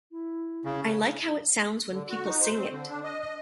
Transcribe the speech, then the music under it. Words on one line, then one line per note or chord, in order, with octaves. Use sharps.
I like how it sounds when people sing it.
E4
C#3
D3
F#4
D#4
C5
C4
D3
D4
D#5
D#5